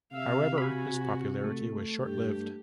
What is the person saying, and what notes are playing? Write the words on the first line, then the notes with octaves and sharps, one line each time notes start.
However, his popularity was short lived.
C3 E5 F5
F#4 G#5 B5
A3
G2 G4